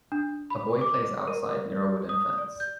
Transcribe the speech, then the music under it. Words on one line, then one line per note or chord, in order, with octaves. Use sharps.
A boy plays outside near a wooden fence.
D4
B5
D6
A#4
D#6
D5
G6